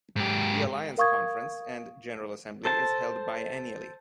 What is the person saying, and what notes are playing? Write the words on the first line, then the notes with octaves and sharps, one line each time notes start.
The Alliance conference and general assembly is held biennially.
G#2 G4
A#4 F5 C#6 D#6 G#6
A4 C5 A5